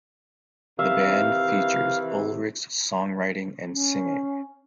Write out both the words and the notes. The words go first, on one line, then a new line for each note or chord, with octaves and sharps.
The band features Ullrich's songwriting and singing.
C3 D#3 E3 E5 F5
C#4